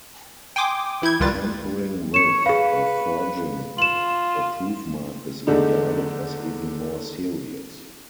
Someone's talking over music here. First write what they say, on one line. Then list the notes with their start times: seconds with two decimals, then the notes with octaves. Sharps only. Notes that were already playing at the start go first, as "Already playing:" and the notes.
Tampering with, or forging, a proof mark is regarded as even more serious.
0.56 G5 G#5 C6 D6 D#6
1.02 E3 E4 G6 G#6
1.20 C#2 D#3 G3 F4 B4 A6
2.14 C#5 C#7 E7
2.46 G#4 B4 F5
3.78 F4 E7 F#7
5.47 E2 D3 G#3 A3 D4 D#4